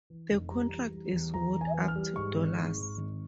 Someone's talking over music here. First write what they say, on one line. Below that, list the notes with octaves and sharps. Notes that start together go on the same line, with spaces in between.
The contract is worth up to dollars.
E3
F1
G3 A#5
E3
G3
E2
E2 A#5
E2
G#5
E3
F6
G3
G#2 C#6
G#1
G#2
G#2
G#1